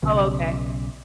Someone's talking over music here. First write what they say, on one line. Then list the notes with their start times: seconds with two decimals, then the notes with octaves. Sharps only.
Oh, okay.
0.03 B1 C#3